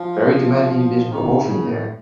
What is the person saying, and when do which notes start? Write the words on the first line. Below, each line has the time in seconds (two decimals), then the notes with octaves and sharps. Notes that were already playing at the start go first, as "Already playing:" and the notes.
Very demanding bit of emoting there.
Already playing: F3
0.77 F3
1.11 D#3
1.46 C#3
1.68 A2